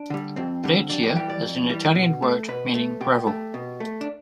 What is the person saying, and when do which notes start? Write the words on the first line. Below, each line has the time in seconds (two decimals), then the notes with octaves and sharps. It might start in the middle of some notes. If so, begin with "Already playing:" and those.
Breccia is an Italian word meaning "gravel".
Already playing: D4
0.10 D3 G3
0.36 F2 C4
0.64 D3 G3
0.89 F2 D4
1.03 G4
1.16 E3 G3 G4
1.30 D5
1.42 F2
1.69 E3 G3
1.95 B2
2.22 A3
2.48 B2 B4
2.75 A3
3.01 B2 G4
3.27 A3
3.54 B2
3.80 A3
4.01 D4